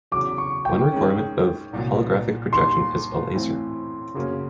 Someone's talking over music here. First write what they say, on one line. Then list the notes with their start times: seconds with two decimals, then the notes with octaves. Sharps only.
One requirement of holographic projection is a laser.
0.12 E2 C#3 F#3 D6
0.38 C#6
0.65 G5
0.92 D#3 G#3 C#4
1.73 C2 A#2 F#3
2.53 D#2 D#3 G3 C6
3.33 A2 E3 A3 C4
4.14 F#2 C#3 F#3 A#3 C#4